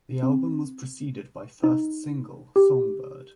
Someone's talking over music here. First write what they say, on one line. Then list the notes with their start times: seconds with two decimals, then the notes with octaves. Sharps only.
The album was preceded by first single "Songbird".
0.23 C4
1.64 D#4
2.56 G4